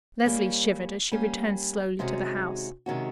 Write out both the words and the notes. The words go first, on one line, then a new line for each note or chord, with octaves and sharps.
Leslie shivered as she returned slowly to the house.
G3 A#3 C#4
G3 A#3 C#4
C3 D#3 G#3 C#4 F#4
C3 D#3 G#3 C#4 F#4